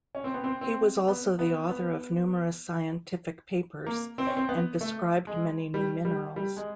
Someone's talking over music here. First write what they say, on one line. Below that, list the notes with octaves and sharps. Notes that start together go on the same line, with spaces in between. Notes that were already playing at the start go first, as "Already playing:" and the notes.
He was also the author of numerous scientific papers, and described many new minerals.
C#4
C4
B3
C4
C4
B3
B3
B3
A#3
C4
C#4
C4
B3
A3
G#3
G3
G3
G3
G#3